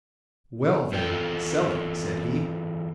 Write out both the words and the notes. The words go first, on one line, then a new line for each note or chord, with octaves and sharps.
"Well then, sell it," said he.
E2 F4 A4 G5